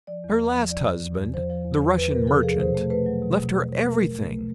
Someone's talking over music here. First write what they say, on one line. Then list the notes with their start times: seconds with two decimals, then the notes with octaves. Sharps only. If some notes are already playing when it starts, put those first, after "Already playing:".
Her last husband, the Russian merchant, left her everything.
0.07 F3 D5
0.24 E2
0.40 E2
0.55 F3
0.71 E2 D5
0.86 F3
1.02 E2
1.18 E2
1.34 F3 C5
1.50 F3
1.65 E2
1.80 E2
1.97 E2 B4
2.12 C3 A#4
2.27 F3 A4
2.43 F3 G#4
2.59 B2 C5
2.75 A3
2.90 A3 B4
3.06 F#3
3.22 B2
3.39 B2
3.54 B2
3.69 B2
3.85 A3 A#4
4.00 A3
4.16 A3
4.32 A3